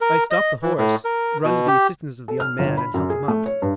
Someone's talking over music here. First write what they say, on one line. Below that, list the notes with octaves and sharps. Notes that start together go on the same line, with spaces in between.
I stop the horse, run to the assistance of the young man and help him up.
A#4
D#5
E3
A2
A#4
B2
G4
A4
F6
G1
B5
F#2
G#4
A3
C#5
G2